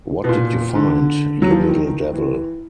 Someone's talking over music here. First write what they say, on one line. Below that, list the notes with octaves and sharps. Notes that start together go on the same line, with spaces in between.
What did you find, you little devil?
B2
A#2
D3
F#3
F3
E3
D#3
E3